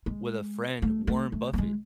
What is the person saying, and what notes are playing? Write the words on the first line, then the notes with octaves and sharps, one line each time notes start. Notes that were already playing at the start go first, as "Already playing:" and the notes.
with a friend Warren Buffett,
G#3
A3
A3
A3
A3
G#3